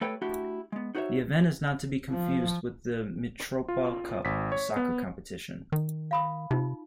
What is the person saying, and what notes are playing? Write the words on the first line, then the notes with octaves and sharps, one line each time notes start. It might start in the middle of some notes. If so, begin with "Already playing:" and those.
The event is not to be confused with the Mitropa Cup, a soccer competition.
A3 G4 A4 B4 C#5 G5
A3 D4 E4 F#4 G4
G#3 B3
D#4 F#4 G#4 C5 C#5 E5
F3
F4
G#1 B6
C#5
B3
D#3
F5 B5 D#6
C3 D#4 F4